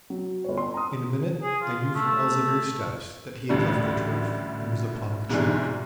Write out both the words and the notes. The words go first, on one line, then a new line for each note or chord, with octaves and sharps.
In a minute I knew from Elzevir's steps that he had left the turf and was upon the chalk.
F#3
G1 C#5
C6
A#5 D#6
G#4
F4
A3
A1 D2 A2 G3
C2 G#2 B2 D3 E3 G3